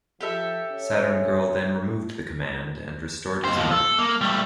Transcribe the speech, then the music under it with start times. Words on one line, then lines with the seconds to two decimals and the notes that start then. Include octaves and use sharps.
Saturn Girl then removed the command and restored his mind.
0.21 F3 G4 A4 E5
0.71 C#4
3.44 D#2 C5
3.57 D#2 F3
3.71 A4
3.98 A#3
4.21 G3 A3